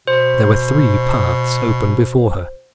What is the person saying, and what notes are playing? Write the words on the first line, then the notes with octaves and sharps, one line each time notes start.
There were three paths open before her.
B2 C5